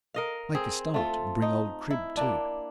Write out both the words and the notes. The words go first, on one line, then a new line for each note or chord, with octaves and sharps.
Make a start, and bring old Crib too.'
A#4 D#5 F5
C4 G#4
A3 F4
D#4
E4
A#3 D4